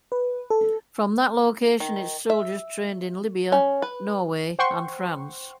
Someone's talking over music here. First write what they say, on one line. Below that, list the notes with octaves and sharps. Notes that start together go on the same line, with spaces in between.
From that location its soldiers trained in Libya, Norway, and France.
B4
A4
D#3
E5
C#4
B4
C5 F#5 G5 C6 C#6